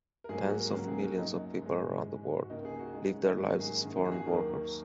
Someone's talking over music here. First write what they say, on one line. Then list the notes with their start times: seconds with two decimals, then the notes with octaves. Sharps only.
Tens of millions of people around the world live their lives as foreign workers.
0.24 A#4
0.29 G#2 F#3 A#3 G#4
0.44 F#4
0.60 A#4
0.74 C#2 C#3 F#3 A#3 A#4
0.88 G#4
1.03 F#4
1.17 F#2 F#3 A#3 D#4
1.61 G#2 G#3
2.06 G#2 G#3
2.44 F#4
2.50 C#2 C#3 A#3 D#4
2.65 G#4
2.79 F#4
2.93 F#2 C#3 G#3 D#4
3.09 C#4
3.23 D#4
3.37 G#2 D#3 F#3 A#3 F#4
3.60 G#4
3.81 F#2 D#3 A#3
3.97 G#4
4.06 F#4
4.12 G#4
4.26 D#2 D#3 F#3 A#3 A#4